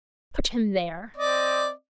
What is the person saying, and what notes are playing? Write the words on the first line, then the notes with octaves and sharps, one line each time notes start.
"Put him there."
C4 D5 D#5